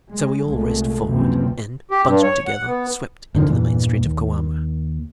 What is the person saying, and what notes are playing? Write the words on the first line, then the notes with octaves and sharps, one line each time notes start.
So we all raced forward and, bunched together, swept into the main street of Coamo.
G#3
C2 A#2 G#3 A3
F#1 C#2 C3 E3 F3 C4
G4
G2
C#5
F#5
B3
F1 D3 D#3 F3
E2 G2 A#2 E3
D#2